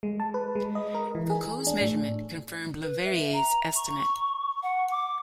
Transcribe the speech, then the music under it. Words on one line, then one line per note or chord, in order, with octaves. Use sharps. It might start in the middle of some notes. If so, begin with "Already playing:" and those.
Foucault's measurement confirmed le Verrier's estimate.
G#3
A5
B4
G#3
D#5
A#4
E3
G#4
D4
A2
B4
E5
A#5
C#6
F#5
D6